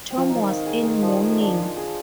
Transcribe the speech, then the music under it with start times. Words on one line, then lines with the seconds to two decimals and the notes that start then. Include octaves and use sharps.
Tom was in mourning.
0.11 C4
0.17 F3
0.29 D#4
0.35 F3
0.42 D#3
0.48 F5
0.66 G#4
0.85 G#3
1.02 F3
1.22 G#4
1.40 D4
1.58 G#3
1.77 G#4